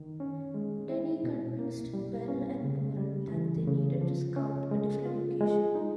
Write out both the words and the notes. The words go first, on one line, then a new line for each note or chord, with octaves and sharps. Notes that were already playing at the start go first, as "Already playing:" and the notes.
Denny convinced Bell and Boren that they needed to scout a different location.
Already playing: D#3
C#4
G#3
E4
B2
A#3
G3
C#4
C#3
G3
E3
C#3
F3
C#4
G#3
F4
G#3
D#4